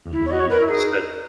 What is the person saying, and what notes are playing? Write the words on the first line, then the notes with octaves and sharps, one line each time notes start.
Mhm. Said
E4
C#5
F#4 D#5
C#5
A#4 B4
E4
D#4 G#4